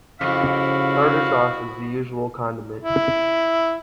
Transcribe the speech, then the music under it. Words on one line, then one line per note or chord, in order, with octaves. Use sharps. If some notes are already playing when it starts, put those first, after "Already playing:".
Tartar sauce is the usual condiment.
F2 C#3 E4 F#4 F5
E4